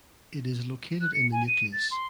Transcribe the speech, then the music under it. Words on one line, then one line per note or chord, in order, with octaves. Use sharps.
It is located in the nucleus.
F#6
C#7
G#5
D#7
A6
C6